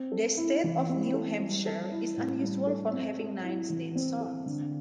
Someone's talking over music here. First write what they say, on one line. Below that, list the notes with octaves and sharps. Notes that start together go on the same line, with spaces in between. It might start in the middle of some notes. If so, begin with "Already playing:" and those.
The state of New Hampshire is unusual for having nine state songs.
Already playing: C4
A4
E4
E3
C4
A4
G3
A4
E4
A2
G3
A4
C4
A4
E4
E3
C4
A4
D3